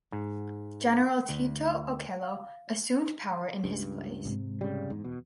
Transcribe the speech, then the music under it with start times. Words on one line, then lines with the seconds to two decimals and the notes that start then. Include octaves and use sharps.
General Tito Okello assumed power in his place.
0.12 G#2
1.29 D2
2.23 F5
3.63 C#2 G2
4.25 G#2 C3
4.61 C#3 G3
4.90 E2 G#2
5.04 B2